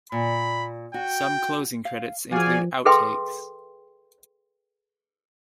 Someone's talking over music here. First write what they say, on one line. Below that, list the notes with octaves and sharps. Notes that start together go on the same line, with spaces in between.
Some closing credits include out-takes.
A#2 B5
F#4 G5
F5
F3 F#4 G#4 D5 F5 G#5
G#4 A4 B4 E5 G5 C6